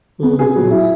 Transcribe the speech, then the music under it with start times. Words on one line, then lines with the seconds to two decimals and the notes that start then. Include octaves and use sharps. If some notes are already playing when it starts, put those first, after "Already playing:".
Ooh, yes.
0.23 B3
0.39 G#4
0.56 F#3
0.71 E4